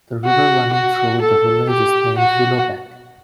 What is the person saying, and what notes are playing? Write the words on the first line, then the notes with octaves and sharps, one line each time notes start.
The river running through the village is named Willow Beck.
F#4
F#4
A4
G4
F#4